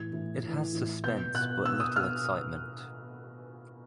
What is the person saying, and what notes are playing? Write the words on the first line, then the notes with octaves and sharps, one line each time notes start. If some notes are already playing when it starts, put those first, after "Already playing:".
It has suspense but little excitement.
Already playing: A2 E3 G#6
A2 E3
A2
E3
A2 E3
B2 G6
B2 F#6
B2 E6
D#6
B2 F6